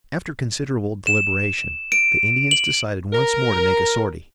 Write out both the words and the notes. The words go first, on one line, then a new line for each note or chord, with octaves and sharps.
After considerable deliberation, the Indians decided once more to make a sortie.
E7
D7
F#7
A#4